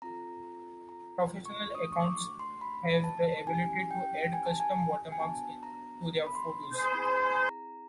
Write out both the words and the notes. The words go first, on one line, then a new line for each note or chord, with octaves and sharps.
Professional accounts have the ability to add custom watermarks to their photos.
C4 F4 A4 A#5
A#5
C#6
A3 D4 F#4 D#6
C#6
D6
C6
B5
A5
C#4 E4 G4 G#5
G5
G#5
A5
G#5
G#5
B3 D4 F#4 A5
A#5
B5
C6
C6
C4 E4 G#4 B5
A#5